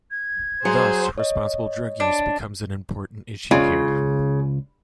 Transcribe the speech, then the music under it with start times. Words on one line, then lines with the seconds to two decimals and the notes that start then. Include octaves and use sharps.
Thus, responsible drug use becomes an important issue here.
0.11 G#6
0.65 F#3 G#4 C5
1.18 C#5 D#5
2.00 D4
3.51 C#2 C#3 F4